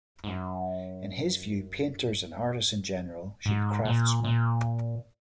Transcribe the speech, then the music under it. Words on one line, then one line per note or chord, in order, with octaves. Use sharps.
In his view, painters and artists in general should be craftsmen.
G#2
F#2
G#2
A#2
A#2